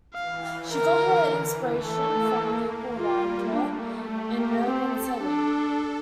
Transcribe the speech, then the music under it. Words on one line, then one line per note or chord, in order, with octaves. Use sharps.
She got her inspiration from people around her, in an urban setting.
E3 F5
D3 A#4
E3
E3
A3
A#3 A4
G3 F4
A3 D4
A#3
A3 G4
A#3 G4
C4 A4
A4
D4